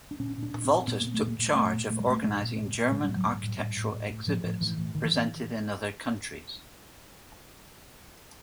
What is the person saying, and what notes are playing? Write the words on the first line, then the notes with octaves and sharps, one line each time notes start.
Wolters took charge of organizing German architectural exhibits presented in other countries.
D4
A#2 C#4
A#2
D4
A#2
C4
A#2
A#2 B3
A#2 A#3
A3
A#2
A#3
A#2
G#3
A#2 A3
A#2
A#2 A3
G#3
A#2 A3
A#2 G#3
A#2
A#2
A#2
A2 G#3
A2 G3
F#3
A2 G3
A2
A2
A2
A2
A2
A2 F3
A2
A2 E3
A2
A2 D#3
E3